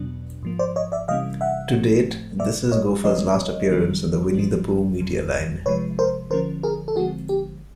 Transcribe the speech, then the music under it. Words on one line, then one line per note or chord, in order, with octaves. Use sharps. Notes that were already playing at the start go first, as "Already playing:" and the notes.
To date, this is Gopher's last appearance in the "Winnie the Pooh" media line.
Already playing: E2 B2 F#3 B3 D4
G#2 F3 A#3
C5 D5
C#5 D#5
D5 E5
C3 E3 G3 A#3 C#4 D#5 F5
E5 F#5
A2 F3 A3 C4
A2 F#3 A#3 D5 E5
C#5 D#5
C#3 F3 G#3 C4 C#5 D#5
F#2 D#3 G3 A#3 D4
G#2 F3 A#3 D4
F2 C#3 F#3
C3 F3 G#3 B4 C#5
A#4 C5
D3 F3 A#3 C#4 A#4 C5
G#4 A#4
A4
D3 F3 G#3 C4 F#4 G#4
G4